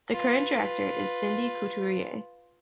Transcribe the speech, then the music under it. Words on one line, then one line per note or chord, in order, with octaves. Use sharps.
The current director is Cindy Couturier.
F4 B4